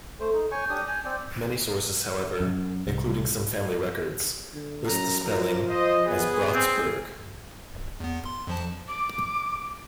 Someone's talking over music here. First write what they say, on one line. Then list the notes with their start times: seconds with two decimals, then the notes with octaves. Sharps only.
Many sources, however, including some family records, list the spelling as "Bratsburg".
0.20 A3 A4 C5
0.34 D#4
0.51 C#5 G#5 C#6 G6
0.70 D4 G4 D#6
0.88 G#5
1.05 C4 D5
2.40 F#2
2.86 C2
4.53 D3
4.89 F#2 A#5
5.25 F3 A#4
5.69 C5 D#5
6.07 B3 G#4
6.54 C4
8.00 E2 B3
8.25 C6
8.47 F2 F3 A5
8.88 D6